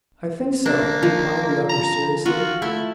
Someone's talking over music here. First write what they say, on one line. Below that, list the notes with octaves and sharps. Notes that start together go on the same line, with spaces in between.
"I think so," replied the other seriously.
A#3 D4
F3
A#5
F4 F#4
A3 E4